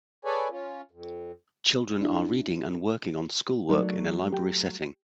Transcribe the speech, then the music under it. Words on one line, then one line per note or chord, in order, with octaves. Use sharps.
Children are reading and working on schoolwork in a library setting.
G#4 A4 B4 C#5 D5 G#5
C#4 F4
F2
D4 E4
F#3 A3 D#4 A#4 D5
G4 G5